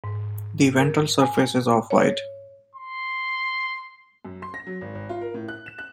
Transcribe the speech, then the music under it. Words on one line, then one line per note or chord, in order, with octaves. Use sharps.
The ventral surface is off-white.
G#2
A#4
G#5
C#5
C6
F#2
C6
A#6
F#3
G#1
G#1
F4
A#4
A2
F#6
E7
F#6